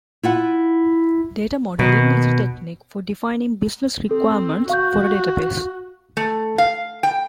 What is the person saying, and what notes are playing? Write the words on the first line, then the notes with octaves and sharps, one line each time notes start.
Data modeling is a technique for defining business requirements for a database.
E4 F4 F#5
B2 D#3
C4 A4
F#4 F5 C#6 G6
A3
F5
G5